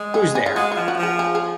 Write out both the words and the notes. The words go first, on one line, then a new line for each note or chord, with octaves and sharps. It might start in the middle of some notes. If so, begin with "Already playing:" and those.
Who’s there?
Already playing: G#3
G#4
G#4
F4
G#3 F#4
F3 F4
F#4
F3 G#4
G#4
G#4